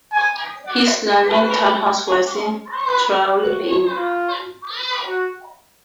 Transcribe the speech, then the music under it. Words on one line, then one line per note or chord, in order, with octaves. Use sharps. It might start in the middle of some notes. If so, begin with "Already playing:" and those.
His London townhouse was in Drury Lane.
G#5
F#5
B4
B4
F#4
F4
F#4